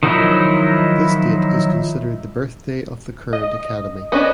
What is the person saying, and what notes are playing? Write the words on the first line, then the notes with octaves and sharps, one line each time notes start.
This date is considered the birthday of the current academy.
D#3 F3 F#3 D#4 E4
D#5
B3 C#4 D4 D#5